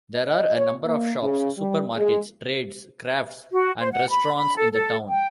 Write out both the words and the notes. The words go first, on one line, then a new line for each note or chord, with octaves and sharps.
There are a number of shops, supermarkets, trades, crafts and restaurants in the town.
D#5
C#5
A#3
C#3
G3
G#3
F#4
C5
F#5
B5
B5
A4
A4
G5